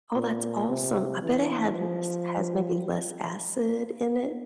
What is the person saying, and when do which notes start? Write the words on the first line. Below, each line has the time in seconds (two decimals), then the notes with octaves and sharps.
Oh, that's awesome. I bet it has less has maybe less acid in it.
0.15 A#2
0.68 C3
1.22 E3
1.76 F3